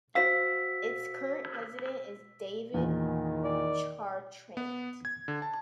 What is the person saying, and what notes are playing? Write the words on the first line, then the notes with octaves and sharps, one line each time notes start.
Its current president is David Chartrand.
F#4 C5 F5 E6 B6
E2 A#2 D#3
D5
B3
G#6
D3
A5